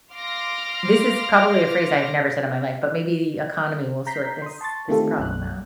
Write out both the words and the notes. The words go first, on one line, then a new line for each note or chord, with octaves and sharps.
this is probably a phrase I have never said in my life, but maybe the economy will sort this this problem out.
F5 C6 D6 F6 A#6
A#5 G6 B6 C7
C6 D#6
A5 C6 C#6 A6
D#3 A3 C4 F4 G4 A4
B1 F#2 F#6